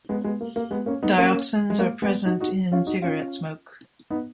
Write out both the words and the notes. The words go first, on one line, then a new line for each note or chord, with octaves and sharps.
Dioxins are present in cigarette smoke.
G#3 B3
G#3 B3
A#3
A#3
G#3 B3
A#3 C#4
B3 D#4
A#3 C#4
G#3
A#3
G#3 B3
D#4 F#4
D#4 F#4
C#4 F4
D#4 F#4
C#4 F4
B3 D#4